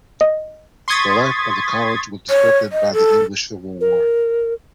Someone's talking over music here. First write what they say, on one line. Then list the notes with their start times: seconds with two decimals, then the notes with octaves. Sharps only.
The life of the college was disrupted by the English Civil War.
0.21 D#5
0.88 C6 C#6 D#6 G#6 A6 B6
2.30 C#5
2.72 D#5
2.94 A4
3.81 A#4